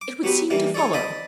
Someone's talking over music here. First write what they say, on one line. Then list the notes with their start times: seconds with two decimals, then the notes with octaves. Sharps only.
'It would seem to follow.'
0.01 D6
0.24 F#3 B3 G4 B4
0.50 E3 G3 A#3
0.74 D#4 G#4 A4 C#5 D5
0.93 C5 D5 D#5 A5 B5